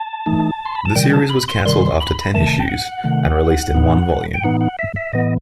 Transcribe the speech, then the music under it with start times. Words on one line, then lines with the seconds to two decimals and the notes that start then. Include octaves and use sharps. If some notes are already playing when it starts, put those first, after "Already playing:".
The series was canceled after ten issues and released in one volume.
Already playing: A5
0.26 E3 A3 D#4
0.65 C6
0.75 B5
0.85 A5
0.96 C3 D#3 G3 G5
1.13 A5
1.30 B5
1.48 C6
1.65 C3 D#3 G3 C6
2.00 B5
2.34 C3 D#3 A3 A5
2.60 G5
2.69 F#5
3.04 C3 D#3 A3
3.74 A2 E3 B3 D#4
4.34 G5
4.43 A2 E3 B3 D#4 F#5
4.61 F#5
4.79 E5
4.96 E5
5.13 A2 E3 B3 D#5